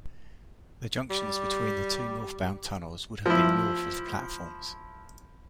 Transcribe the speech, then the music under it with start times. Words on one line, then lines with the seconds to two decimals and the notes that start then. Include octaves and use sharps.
The junctions between the two northbound tunnels would have been north of the platforms.
1.11 G3
3.26 F3 E4